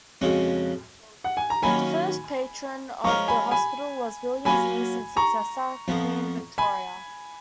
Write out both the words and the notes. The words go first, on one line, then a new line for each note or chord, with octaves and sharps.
The first patron of the hospital was William's niece and successor, Queen Victoria.
F2 C#3 G#3 C#4 F#4
F#5
G#5
A#5
D#3 F#3 A#3 C#4 G#5 B5
F3 G#3 C#4 F4 A#4 A#5 C#6
G#5 B5
G#5 B5
F#3 A#3 C#4 G#5 B5
A#5 C#6
F2 F3 B3
G#5 B5